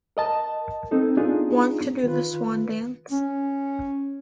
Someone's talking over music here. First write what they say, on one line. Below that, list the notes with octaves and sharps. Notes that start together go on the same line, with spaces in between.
Want to do the swan dance.
A#4 D#5 A5
C4 D#4 A4
B3 D4 D#4 F4 G#4
D#3 F4 B4
C#4